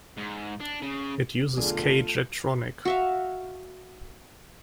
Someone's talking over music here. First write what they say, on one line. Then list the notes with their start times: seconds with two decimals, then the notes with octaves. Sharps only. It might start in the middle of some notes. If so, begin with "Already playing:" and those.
It uses K-Jetronic.
0.17 G#2
0.61 D4
0.82 C#3
1.57 E1 B1 D3 A3 F4 G#4 D5
2.85 F#4 E5 F5